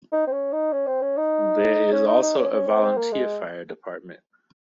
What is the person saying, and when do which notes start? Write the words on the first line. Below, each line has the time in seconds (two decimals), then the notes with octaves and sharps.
There is also a volunteer fire department.
0.12 D#4
0.27 C4
0.31 C#4
0.52 D#4
0.72 C#4
0.87 C4
1.02 C#4
1.17 D#4
1.92 C#4
2.07 D#4
2.22 D#4
2.37 C#4
2.52 C#4
2.67 C4
2.82 C4
2.97 A#3
3.12 G#3